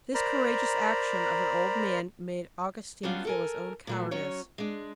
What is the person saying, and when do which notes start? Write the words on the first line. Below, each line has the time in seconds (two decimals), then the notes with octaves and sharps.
This courageous action of an old man made Augustine feel his own cowardice.
0.14 A#4 C5 D5 A#5 B5
3.03 F#3 G3 B3 C#4 D4 F4
3.25 A4 A#4 G#5
3.87 A#2 F#3 A3
4.11 F#3 C#4 C#5
4.58 G#3 D4